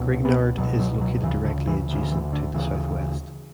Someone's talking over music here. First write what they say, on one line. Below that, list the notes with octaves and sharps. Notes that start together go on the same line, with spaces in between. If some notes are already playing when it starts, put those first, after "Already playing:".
Grignard is located directly adjacent to the Southwest.
Already playing: C#2 B2
B3
C#2 B2 F#3
F#3
F#3
D2 C#3 E3
D3
E3
D2 C#3
E3
D3
D2 C#3 E3